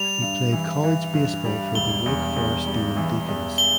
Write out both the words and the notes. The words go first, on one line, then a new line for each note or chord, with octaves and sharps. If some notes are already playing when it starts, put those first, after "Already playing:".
He played college baseball for the Wake Forest Demon Deacons.
Already playing: G3 F7
G2
E3
E3
G2
G3
E1 G7
E2
E2
G3
E3
E2
G7